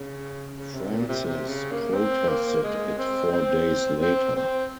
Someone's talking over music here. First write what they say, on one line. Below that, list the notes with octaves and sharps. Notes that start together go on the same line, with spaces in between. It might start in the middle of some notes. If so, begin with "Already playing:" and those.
Francis protested it four days later.
Already playing: C#3
C#3
C3
A#2
C3
C3
C#3
A#3
C4
A#3
G#3
C4
C4
C4
C4